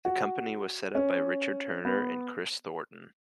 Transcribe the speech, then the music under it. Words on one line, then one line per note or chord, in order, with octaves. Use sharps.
The company was set up by Richard Turner and Chris Thornton.
F#4
C#4
B3